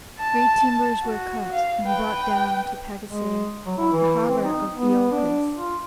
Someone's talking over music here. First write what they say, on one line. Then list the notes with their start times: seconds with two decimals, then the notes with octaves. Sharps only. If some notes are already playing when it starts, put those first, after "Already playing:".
Great timbers were cut and brought down to Pagasae, the harbor of Iolcus.
0.19 A5
1.04 F#4
1.52 F5
1.85 B4 G5
3.09 G#3
3.66 F#3
3.78 E4
3.92 E3
4.29 C4
4.44 D#4
4.74 B3
5.12 D4
5.56 F4